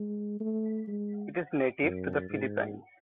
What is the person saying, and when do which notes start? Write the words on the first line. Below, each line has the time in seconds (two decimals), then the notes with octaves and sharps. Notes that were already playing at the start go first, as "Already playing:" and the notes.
It is native to The Philippines.
Already playing: G#3
0.40 A3
0.88 G#3
1.83 F#2
2.30 G#2